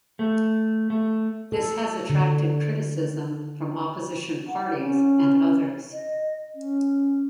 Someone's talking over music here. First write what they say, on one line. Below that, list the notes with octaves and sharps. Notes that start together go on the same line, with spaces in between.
This has attracted criticism from opposition parties and others.
A3
A3
A4
D3
F#5
C#4
D#5
C#4